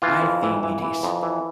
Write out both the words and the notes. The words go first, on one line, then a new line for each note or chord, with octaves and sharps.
I think it is.
E3 F4
F2
E3
E3
E3
F2
E3